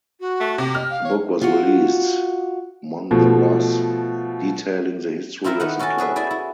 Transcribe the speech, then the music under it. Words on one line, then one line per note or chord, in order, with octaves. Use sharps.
A book was released "Mon the Ross" detailing the history of the club.
F#4
A3
C3 G4
D#5 F6
F5
C#5
F4 F#4
B2 F3 A3
C4 E4 F4 A#4 E5
D#3 B3 F#5
C#4 F#4 A4 B4 A5
F#4 G#4 B4 E5
E4 D5 E5 G#5
E4